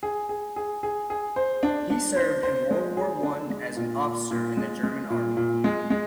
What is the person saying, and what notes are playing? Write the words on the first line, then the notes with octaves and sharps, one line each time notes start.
He served in World War One as an officer in the German Army.
G#4
G#4
G#4
G#4
G#4
C5
D4
D4
C5
C5
G#3
G#4
D4
G#3
A#2
A#2
A#2
G#3
G#3
A#2
A#2
G#3
G#3